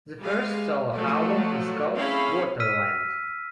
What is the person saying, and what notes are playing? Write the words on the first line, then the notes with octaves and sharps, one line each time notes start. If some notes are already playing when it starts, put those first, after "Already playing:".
The first solo album is called "Waterland".
G3 G#3 G#4 F5
F3 F#3 A3 A4
C4 C#4 E4 G#4 F5 B5
E6 F6 B6 D#7